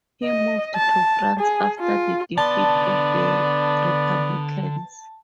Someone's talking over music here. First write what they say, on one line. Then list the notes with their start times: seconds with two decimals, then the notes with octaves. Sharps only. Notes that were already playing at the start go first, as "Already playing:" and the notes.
He moved to France after the defeat of the Republicans.
0.24 D#5
0.76 A5
1.40 G#4
1.80 F4
2.38 D3 B3 D5 A5 C6